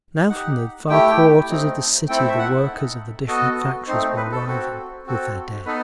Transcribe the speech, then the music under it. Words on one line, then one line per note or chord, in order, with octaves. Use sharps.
Now from the far quarters of the city the workers of the different factories were arriving, with their dead.
D#4 G4 F#5
A3 E4 G4 G5
A3 C4 D#4
A3 C4 E4 A4 G5
E5
F#5
D#4 A4
B3 F#4 A4 D#5
A3 C4 D#4 C5
A4
B4
A4
C4 F#4 A4
C4 F#4 A4
B3 D#4 A4 B4